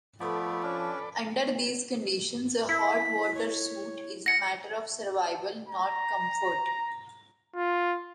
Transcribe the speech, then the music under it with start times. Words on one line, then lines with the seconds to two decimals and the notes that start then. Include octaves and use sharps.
Under these conditions a hot water suit is a matter of survival, not comfort.
0.21 F3 A3 B3 A4 B4 D5
0.63 C#4 D4
2.69 E4 B6
3.35 C#5
4.26 F#5 A#6 C#7
5.69 A#5
7.56 F4